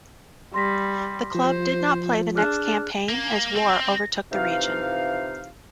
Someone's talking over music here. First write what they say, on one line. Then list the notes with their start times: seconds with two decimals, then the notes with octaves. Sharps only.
The club did not play the next campaign as war overtook the region.
0.54 G3 C6 A#6 B6
1.35 F3 C5
2.35 D4 G#4 F6 F#6
3.09 A#3
3.56 C4
4.32 C3 E3 F3 D#4 F5